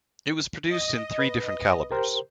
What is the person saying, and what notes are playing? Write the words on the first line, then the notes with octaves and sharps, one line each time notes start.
It was produced in three different calibers.
D#5
B4
G4 A#4 C5